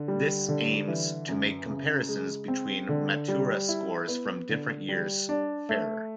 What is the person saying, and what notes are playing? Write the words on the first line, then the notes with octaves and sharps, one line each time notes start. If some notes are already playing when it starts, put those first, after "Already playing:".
This aims to make comparisons between Matura scores from different years fairer.
Already playing: D3
G3
D3
E3
F#2
C#3
G#3
C4
D3
G3
E4
B3
D3
G3
D4
A3